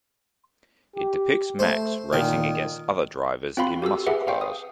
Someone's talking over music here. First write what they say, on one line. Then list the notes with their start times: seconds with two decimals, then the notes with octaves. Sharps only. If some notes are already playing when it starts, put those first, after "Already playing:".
It depicts Max racing against other drivers in muscle cars.
0.96 G4
1.59 A3 C5
2.13 A#2 D#3
3.57 C4 F4 F5 B5 C6
3.82 F#4 G4 A4 E6
4.07 G4 G#4 B4 E5 F#5
4.27 B4 F5 G5
4.41 D#6